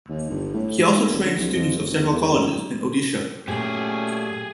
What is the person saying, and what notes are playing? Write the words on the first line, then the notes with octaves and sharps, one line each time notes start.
He also trained students of several colleges in Odisha.
D#2
G1
A2
G#2
D#1
D3
C2
F2
F#1
E2
E2
F#2
A#2 F#3 A3 C#4 G4 G#4